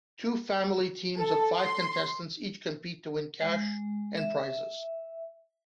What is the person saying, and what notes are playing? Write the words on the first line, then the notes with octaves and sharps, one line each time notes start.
Two family teams of five contestants each compete to win cash and prizes.
A4
C6
G#3
E5